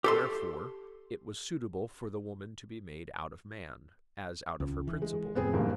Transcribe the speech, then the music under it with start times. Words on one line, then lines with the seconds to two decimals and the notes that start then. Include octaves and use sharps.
Wherefore it was suitable for the woman to be made out of man, as out of her principle.
0.04 G4 A4 C6
4.60 C#2
4.87 E3
5.02 G#3
5.35 F2 A2 C3 B3 C4 G#4
5.53 F#1 G2 A#3